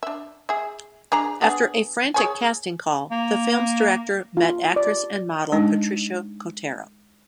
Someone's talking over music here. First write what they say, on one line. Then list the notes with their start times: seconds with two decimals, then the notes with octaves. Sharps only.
After a frantic casting call, the film's director met actress and model Patricia Kotero.
0.03 D4 E5
0.49 G#4 E5
1.12 D4 G#4 A#5
1.42 B3 D4 G#4
2.14 G#4 C#5 G#5
3.11 A#3
4.37 F4
4.76 D5
5.52 G#3 D4 D#4